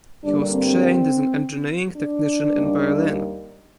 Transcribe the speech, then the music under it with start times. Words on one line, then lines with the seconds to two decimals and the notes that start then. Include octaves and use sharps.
He was trained as an engineering technician in Berlin.
0.24 G2 D3 G3 A#3 D4
0.52 C4
1.95 D4
2.53 D#2 D#3 G3 A#3